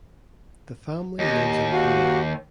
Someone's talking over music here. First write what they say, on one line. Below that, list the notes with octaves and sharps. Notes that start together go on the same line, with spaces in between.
The family lives in Cologne.
D#2 G4 D#5
F#4 G4 F5